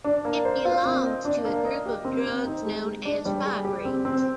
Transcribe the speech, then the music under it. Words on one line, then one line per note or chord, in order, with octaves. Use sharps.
It belongs to a group of drugs known as fibrates.
D4
A#3
C5
F4
C4
D#5
D4
A#3
D#5
G4
C4
C4
D#4
G#3
G#3
D4
G3
G#4
G4
C4
C4